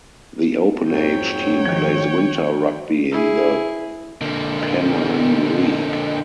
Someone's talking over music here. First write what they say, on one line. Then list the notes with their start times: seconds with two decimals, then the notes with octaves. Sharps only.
The Open Age team plays winter rugby in the Pennine League.
0.88 F2 G#2 F#3 C#5 G5
1.66 D#3 F3
3.11 E4 G#4
4.21 D3 A#3